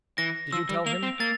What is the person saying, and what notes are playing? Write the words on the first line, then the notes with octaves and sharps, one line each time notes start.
Did you tell him?
E3 A#6
F3 E6
G3
A#3 F7
C4
A#3 A6